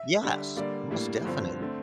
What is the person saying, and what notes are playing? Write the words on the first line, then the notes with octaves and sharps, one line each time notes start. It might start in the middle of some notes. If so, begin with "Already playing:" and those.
Yes, most definitely.
Already playing: E5
D3 G3 D4
D3 G3 A#3 D5
A2 G3 A#3 D4
G2 D3 F3 C4
D3 A3 C4